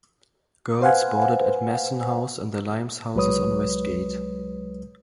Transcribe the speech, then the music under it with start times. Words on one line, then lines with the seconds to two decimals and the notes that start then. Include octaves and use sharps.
Girls boarded at Masson House and The Limes houses on Westgate.
0.81 B4 C5 F5 F#5 G#5
3.15 C2 F#3 G#3 B4 C#5 D#6